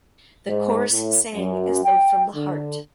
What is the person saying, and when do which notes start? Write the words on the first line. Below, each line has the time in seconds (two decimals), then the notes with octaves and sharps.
The chorus sang as though from the heart.
0.48 G#2
0.90 A2
1.35 F#2
1.84 G5
2.35 D3